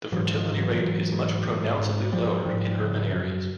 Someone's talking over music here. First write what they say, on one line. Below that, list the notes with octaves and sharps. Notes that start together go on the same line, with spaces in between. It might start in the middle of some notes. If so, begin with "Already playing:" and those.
The fertility rate is much pronouncedly lower in urban areas.
G#2 E3 F#3
D#3 F3
G#2
E3 F#3
G#2
G#2
G#2
G#2
G#2 F3 G3
G#2 F3 G3
C#3
F#2